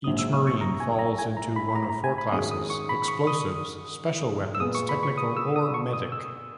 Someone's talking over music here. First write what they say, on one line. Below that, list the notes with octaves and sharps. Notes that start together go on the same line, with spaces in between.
Each marine falls into one of four classes: explosives, special weapons, technical, or medic.
A#1 G#2 F#3 D#6
E6
D#6
C#6
A#5
G#5
A#5
G#5
A#5
B5
B5
A#5
A#5
G#5
B5
G#2 D#3 G#3 C#4 F#4 D#6
D#6
C#6
B5
C#6
D#6
E6
A#2 G#3 B3 D#6
C#6
B5
C#6
D#6
E6
D#6
C#6
D#6
E6